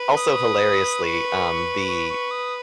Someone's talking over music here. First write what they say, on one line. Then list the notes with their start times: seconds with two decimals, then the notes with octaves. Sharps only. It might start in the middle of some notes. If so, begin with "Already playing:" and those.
Also, hilariously, um, the
Already playing: B4
0.16 D#6
1.02 C#6
1.87 C#6
2.09 C#6
2.31 D#6